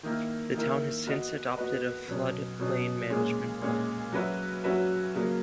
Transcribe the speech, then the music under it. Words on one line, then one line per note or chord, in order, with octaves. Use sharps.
The town has since adopted a flood plain management plan.
D#3 A#3 E4 A#4
D#3 A#3 E4 A#4
B3 F#4 B4 D#5
B3 F#4 B4 D#5
B2 F#3 C#4
B2 F#3 C#4
A#2 G#3 C#4 G#4
A#2 G#3 C#4 G#4
F#3 C#4 F#4 B4 E5
F#3 C#4 F#4 B4 E5
C#3 F#3 A#3